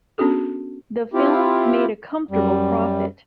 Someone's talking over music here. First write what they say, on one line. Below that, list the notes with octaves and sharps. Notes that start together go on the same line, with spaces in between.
The film made a comfortable profit.
B3 C#4 D4 F#4 G#4 A4
C4 E4 F4 G4
F#2 G3